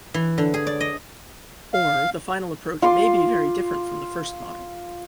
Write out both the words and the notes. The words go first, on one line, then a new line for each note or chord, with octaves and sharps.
Or, the final approach may be very different from the first model.
E3
D3
G#4
D5
D#5
F5
F4 C6 D6